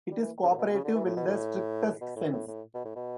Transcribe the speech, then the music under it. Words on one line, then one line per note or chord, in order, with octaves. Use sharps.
It is co-operative in the strictest sense.
G3
E3
C#3
A2
B2
C#3
D3
E3
A2
B2
A2
B2
A2
A2
A2
B2
A2
B2